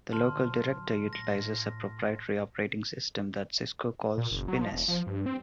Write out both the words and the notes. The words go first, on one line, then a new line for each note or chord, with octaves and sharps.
The LocalDirector utilizes a proprietary operating system that Cisco calls Finesse.
A#1 D3 F#3 A5 C6 F6
A2 A#6
A#2
F#1
F#3
F3
E1
F3
G2
C4